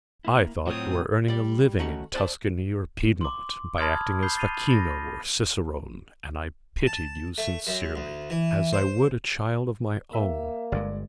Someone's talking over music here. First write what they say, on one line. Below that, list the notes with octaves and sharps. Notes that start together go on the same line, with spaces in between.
I thought you were earning a living in Tuscany or Piedmont by acting as facchino or cicerone, and I pitied you sincerely, as I would a child of my own.
A#3 E4
A2 F#3 C4 F4 F#4 C#5 D#6
G3 D5
D#3 A3 C#4 F#4 F#5
C5 D5 G#5 A5
C6 D6
A5 B5 C6 D#6 F6 G#6
B5 G6 C7 G7
A6 C7 D#7 F7
B5 A6 A#6
A5
A3
F#2
D2
E3
C5
A#3 E5
G1 G2 G#3 D5